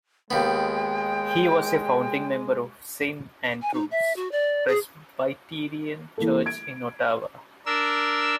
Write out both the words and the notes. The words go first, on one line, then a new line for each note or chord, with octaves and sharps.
He was a founding member of Saint Andrew's Presbyterian Church in Ottawa.
D#2 G#3 B3 G5
G#5
D#4
E5
F#4
D5
G#4
E3 A#3 A4
G#6 D7
D4 A#4 E6